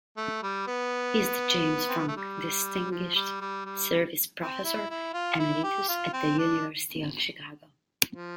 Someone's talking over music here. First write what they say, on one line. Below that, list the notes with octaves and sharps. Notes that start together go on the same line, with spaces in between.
He is the James Franck Distinguished Service Professor Emeritus at The University of Chicago.
A3
G3
B3
C4
B3
A3
G3
F3
G3
G3
G3
C4
E4
E4
F4
E4
G4
F4
C4
D4
F3